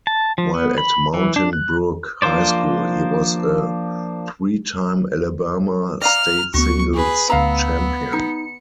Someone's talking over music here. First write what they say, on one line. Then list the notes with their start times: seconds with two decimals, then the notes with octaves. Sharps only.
While at Mountain Brook High School, he was a three-time Alabama state singles champion.
0.07 A5
0.38 F3
0.54 B3
0.78 B5
1.14 E3
1.36 D4
1.53 F#6
2.22 F3 A#3 D4 C5 D5
6.01 D5 F5 A#5 F6
6.54 D2 B3 F#4 C#6
6.94 G#4 B4
7.30 D2 B3 F5 A#5 E6
8.13 D#4 C#7